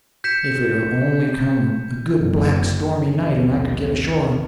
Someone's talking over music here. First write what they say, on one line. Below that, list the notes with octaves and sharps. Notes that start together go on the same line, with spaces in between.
If it would only come a good black stormy night and I could get ashore.
G6 B6 C#7 E7
F#1
A#1 D#2